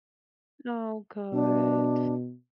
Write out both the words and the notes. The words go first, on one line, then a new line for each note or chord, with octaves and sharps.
Oh, good.
B2 D4